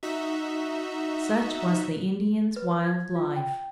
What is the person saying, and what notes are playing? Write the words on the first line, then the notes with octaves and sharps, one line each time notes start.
Such was the Indians' wild life!
D#4 F#4 E5
B4
G#6
F4
G5